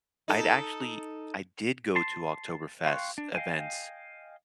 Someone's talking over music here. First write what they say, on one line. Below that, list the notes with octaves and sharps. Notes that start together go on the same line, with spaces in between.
I'd actually I did go to Oktoberfest events,
D#4 A4
A5 C6
F5 G5 C6 C#6 F#6
D4
D#5 F5 G5 G#5